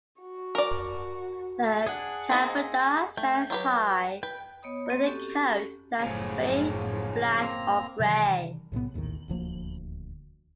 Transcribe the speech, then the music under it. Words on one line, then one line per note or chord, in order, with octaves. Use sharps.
The Kabarda stands high, with a coat that is bay, black, or gray.
F#4
A#4 D5
D4 G#4 F#5
A#3 C4 D#4
A3 G5
F#3 G4 B4
B4 G5
B3 C#5 D#5 B5 D#6
A#3 C4
C#4 F#4 G4 A4
F#1 A2 C#3 F3
A#3 C4 A#5
C3 D#3 E3 G3
B1 A2 C3 B3
A#1 D#2 A2 D#3
D#1 D2 F3 A#3